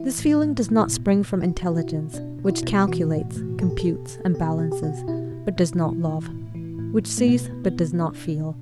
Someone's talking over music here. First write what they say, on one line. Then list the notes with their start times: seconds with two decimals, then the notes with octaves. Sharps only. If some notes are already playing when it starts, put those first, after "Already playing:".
This feeling does not spring from intelligence, which calculates, computes, and balances, but does not love; which sees, but does not feel.
Already playing: E3 E4
0.18 A2
0.43 A2
0.67 B2
0.91 B2
1.16 B2
1.40 B2 F#4
1.65 B2
1.71 F#4
1.77 E4
1.90 B2
2.14 B2 D4
2.39 B2
2.45 F#4
2.51 E4
2.63 B2
2.87 E3 F#4
3.12 A2
3.36 A2
3.60 B2 A4
3.70 G4
3.80 A4
3.85 B2
4.09 B2
4.34 B2 G4
4.59 B2 G4
4.72 G4
4.83 B2 F#4
5.08 B2 E4
5.32 B2
5.57 B2
5.81 E3
6.05 A2
6.30 A2
6.55 E3
6.79 A2
7.03 A2
7.18 A3
7.28 B2 B3
7.52 B2
7.64 B3
7.77 B2
8.01 B2 D4
8.26 B2